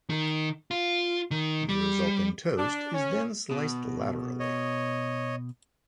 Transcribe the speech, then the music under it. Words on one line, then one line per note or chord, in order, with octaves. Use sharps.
The resulting toast is then sliced laterally.
D#3
F4
D#3
G3
D4
C#4
B2
C#5 D#5